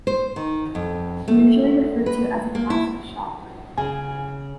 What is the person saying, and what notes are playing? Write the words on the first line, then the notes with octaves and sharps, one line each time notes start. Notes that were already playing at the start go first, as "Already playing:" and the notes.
Usually referred to as a "class" of shock.
C5
D#3
F2
A3
B4
A#3
E4
C#3 G#5